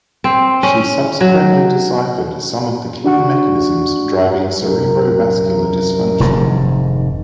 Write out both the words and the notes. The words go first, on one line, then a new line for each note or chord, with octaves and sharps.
She subsequently deciphered some of the key mechanisms driving cerebrovascular dysfunction.
C4
C#4
F#3
D4 F#4 F#5 C#6
C2 F#2 A#4
F1 G#2 D#3